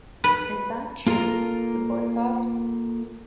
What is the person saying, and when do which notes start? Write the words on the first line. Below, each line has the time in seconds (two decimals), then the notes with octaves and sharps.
Is that true? - the boy thought.
0.24 B4
1.07 A#3 F4 A4 A#4 A#5